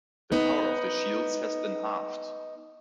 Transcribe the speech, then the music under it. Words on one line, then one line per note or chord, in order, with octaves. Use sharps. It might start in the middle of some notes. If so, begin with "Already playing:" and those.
The power of the shields has been halved.
B3 D#4